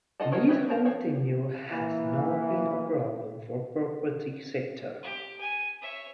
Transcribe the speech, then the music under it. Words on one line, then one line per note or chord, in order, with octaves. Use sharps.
Leasehold tenure has not been a problem for the property sector.
F4 A4 D#5 F#5 A5
F#4 A#4 C5 C#5 D#5
G4 B4 C#5 D#5 E5
A#4 C5 A5 A#5
F3 B3 C4 C#5
E3 A#3
G4
G#5
C#5 E5